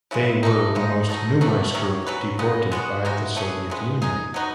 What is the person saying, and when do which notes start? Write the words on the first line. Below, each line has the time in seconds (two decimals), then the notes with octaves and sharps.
They were the most numerous group deported by the Soviet Union.
0.11 C#3 E3 G#3
0.43 E3 A3 D#4
0.75 C#3 G#3 D#4
1.09 B2 A3 D#4
1.41 B2 A3 D#4 F#4
1.74 D#3 F#3 C#4
2.07 F#3 C#4 F#4 B4
2.39 C#3 G#3 B3 D#4
2.72 G#3 B3 F#4
3.05 E3 G#3 D#4 F#4
3.36 E3 A3 C#4 G#4
3.70 D#3 G#3 B3
4.02 G#3 D#4 G#4
4.34 F#3 B3 D#4 F#4